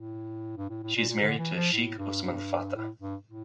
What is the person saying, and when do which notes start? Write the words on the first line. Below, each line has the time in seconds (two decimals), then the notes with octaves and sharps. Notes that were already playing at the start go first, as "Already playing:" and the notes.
She is married to Sheikh Usman Fateh.
Already playing: A2
0.57 G2
0.69 A2
0.83 A2
0.96 A#2
1.08 A#2
1.21 D3
1.38 E3
1.55 F3
1.73 A2
1.98 G2
2.24 G2
2.75 A2
3.02 G2
3.27 A2